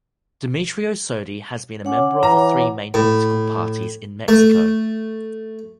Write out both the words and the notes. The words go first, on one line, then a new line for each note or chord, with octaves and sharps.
Demetrio Sodi has been a member of the three main political parties in Mexico.
C#4 C#5 F#5 D6
E3 A#5
A2
A3